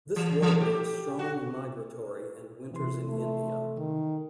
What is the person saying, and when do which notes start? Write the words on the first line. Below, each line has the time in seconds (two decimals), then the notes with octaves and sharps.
This warbler is strongly migratory and winters in India.
0.16 E3
0.42 E3
0.60 G4
1.19 F#4
2.72 C3 E3 C6
3.09 A3
3.78 D#3